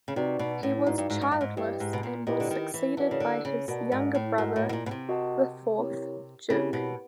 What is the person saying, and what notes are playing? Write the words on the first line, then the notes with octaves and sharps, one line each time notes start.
He was childless and was succeeded by his younger brother, the fourth Duke.
C#3
C3 D#4 F#4 B4 D5
B2
A2
G#2 D#4 F#4 B4 D5
G2
G#2
G#2
G2
G#2
G2 E4 G4 B4 D#5 G5
G#2
B2
A#2
A#2 E4 G4 B4 D#5 G5
D3
D#3
E3
E3 F#4 A#4 D5 F#5 A5
C#3
D3
C#3
B2 F#4 A#4 D5 F#5 A5
G#2
A2
G#2 F#4 A#4 D#5 F#5 A5
A2
B2
A#2
B2
C3
F#4 A#4 D#5 F#5 A5
C4 E4 G4 A#4 C#5
C#3 C4 E4 G4 A#4 C#5
B2